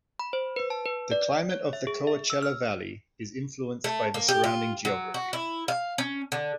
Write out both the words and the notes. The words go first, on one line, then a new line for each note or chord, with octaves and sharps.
The climate of the Coachella Valley is influenced by the surrounding geography.
B5
C5
B4
A5
B4
D5
C#5
E5
G#4
E5
E6
F6
A3
A#3
G4
F4
F#3
F#4
E4
F5
C#4
D3